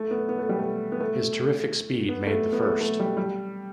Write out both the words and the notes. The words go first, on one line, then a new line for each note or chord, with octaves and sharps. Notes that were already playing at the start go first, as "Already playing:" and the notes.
His terrific speed made the first.
Already playing: A3
B3
B3
A3
G3
A3
B3
A3
B3
A3
B3
A3
A3
G3
G3